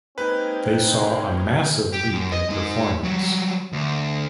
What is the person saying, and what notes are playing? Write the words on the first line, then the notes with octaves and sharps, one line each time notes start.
They saw a massive leap in performance.
G#3 A#3 C4 D#4 G4 B4
G4
F#2
D#5
G#3 D#4
F#3 G3
D2